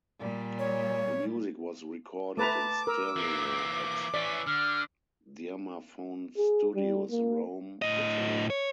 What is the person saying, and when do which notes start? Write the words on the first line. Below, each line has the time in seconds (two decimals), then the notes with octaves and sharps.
The music was recorded in stereo at Dirmaphon Studios, Rome, Italy.
0.20 A#2 G3
0.59 C#5
2.37 A3 B4 A5 A#5 D6
2.87 A#4 E6
3.16 E3 A#3
4.14 E3 C#4 D5 B6
4.46 D3 F6
6.37 G#4
6.75 G3
7.11 A#3
7.82 A2 D#5
8.50 C#5